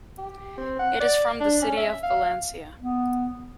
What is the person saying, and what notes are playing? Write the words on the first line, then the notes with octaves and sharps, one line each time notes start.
It is from the city of Valencia.
G4
C4
F#5
D5
D4
C#4
E5
F5
B3